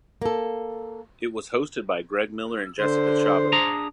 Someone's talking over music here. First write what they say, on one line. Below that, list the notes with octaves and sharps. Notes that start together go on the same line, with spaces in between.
It was hosted by Greg Miller and Jessica Chobot.
A#3 A4
D3 C5
D4 G#4 A#5